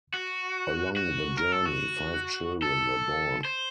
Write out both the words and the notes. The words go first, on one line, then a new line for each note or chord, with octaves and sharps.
Along the journey, five children were born.
F#4
F#4
A#4
A4
F#4
A4
C5